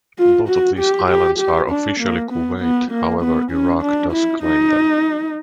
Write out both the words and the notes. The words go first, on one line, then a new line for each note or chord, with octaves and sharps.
Both of these islands are officially Kuwait, however Iraq does claim them.
F4
F#4
G4
G4
G4
D4
A#3
B3
B3
A#3
B3
C#4
D4
E4
D#4